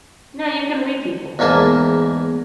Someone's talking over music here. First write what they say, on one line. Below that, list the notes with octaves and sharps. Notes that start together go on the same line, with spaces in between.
No, you can read people.
E2 G#2 A#3 G#5 A5